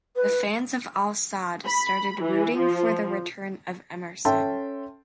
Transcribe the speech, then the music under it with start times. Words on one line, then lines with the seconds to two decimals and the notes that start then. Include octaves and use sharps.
The fans of Al-Sadd started rooting for the return of Emerson.
0.16 B4
1.64 B5
2.22 E3
2.57 F3
4.25 C#4 A4 E5 G5 A5 C6